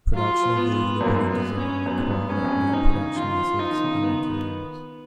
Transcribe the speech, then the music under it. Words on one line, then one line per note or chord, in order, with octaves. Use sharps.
Production of the unibody design required new production methods and materials.
F#3 F4
F3
B3
A#2
F#2 A#3
G#2
F#2
B3
C#4
F#2 B3
G#2
F#2
G#2 C#4
F#2
F2
F#2
F#2
G#2 D#4
C#3
D#3 F4
F3
F3 D#4
D#3
C#3
D#3
B3